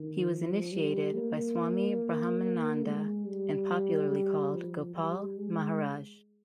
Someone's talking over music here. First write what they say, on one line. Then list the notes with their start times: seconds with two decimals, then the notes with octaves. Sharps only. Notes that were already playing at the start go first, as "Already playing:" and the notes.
He was initiated by Swami Brahmananda and popularly called "Gopal Maharaj".
Already playing: D#3
0.30 F3
0.72 G3
1.15 A#3
2.84 G#3
3.26 G3
4.11 G3
4.53 F3
4.96 G3
5.38 G#3